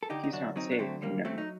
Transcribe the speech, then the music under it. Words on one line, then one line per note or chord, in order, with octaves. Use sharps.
He's not safe, you know.
A4
D3 D#4 G4
D#4
F#2 D4 F#4
F#3 C4 D#4
D4
D3 A3 C4
D#2 G3 A#3
F#3 A3 C4
D#4